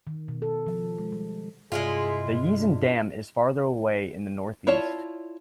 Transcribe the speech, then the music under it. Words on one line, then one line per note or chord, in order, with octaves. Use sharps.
The Yezin Dam is farther away in the north-east.
D#3
B2
A4
F3
G#3
G3
G2 C3 G#3 E4 F4 G#4
D4
E4 F4 C#5 D5 A5